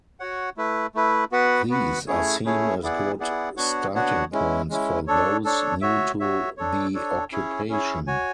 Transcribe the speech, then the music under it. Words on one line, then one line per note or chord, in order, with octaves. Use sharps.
These are seen as good starting points for those new to the occupation.
F#4 C#5 F#5
A3 E4 B4
A3 E4 B4
B3 F#4 B4 F#5
B3 F#4 B4 F#5
A3 C#4 E4 G#4 C#5
A3 C#4 E4 G#4 C#5
B3 E4 G#4 D5 F#5
B3 E4 G#4 D5 F#5
B3 D4 F#4 C#5 F#5
B3 D4 F#4 C#5 F#5
G#3 C#4 E4
G#3 C#4 E4
D4 A4 C#5
D4 A4 C#5
F#4 C#5 E5
F#4 C#5 E5
D4 A4 C#5
D4 A4 C#5
C#4 E4 G#4 C#5
C#4 E4 G#4 C#5
F#4 C#5 G#5